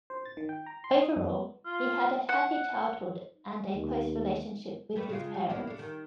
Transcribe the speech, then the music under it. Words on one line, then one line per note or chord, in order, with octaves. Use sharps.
Overall, he had a happy childhood and a close relationship with his parents.
C5
A6
D#3
G5
A#5
C6
D#6
F#2
B3
F4
F#5
D#2
G3 A3 B4
C#3 G#3 F4
G3
A#3 B3 E4
D4 A4
D#3